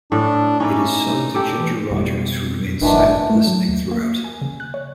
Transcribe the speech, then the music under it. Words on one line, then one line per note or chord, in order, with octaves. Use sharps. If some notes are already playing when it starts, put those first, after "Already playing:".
It is sung to Ginger Rogers, who remains silent listening throughout.
A2 D4
C#4 D#4 E4 D5
G4 A4 D5
E3
F2 B2 G3
F#1 B1 A2 D#3 E3 F#3 D4
A3
F#3
D#2
A#3
G#5
C#3
F#6
C#5